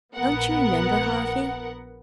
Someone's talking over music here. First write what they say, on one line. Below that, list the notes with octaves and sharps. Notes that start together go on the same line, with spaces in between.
Don't you remember, Harvey?
A#1 B3 A#4 F#5